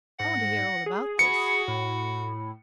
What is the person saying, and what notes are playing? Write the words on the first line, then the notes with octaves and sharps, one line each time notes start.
I want to hear all about this.
G#2 F#5 A#6
G#4
F#4 B5 C#7
A2 B5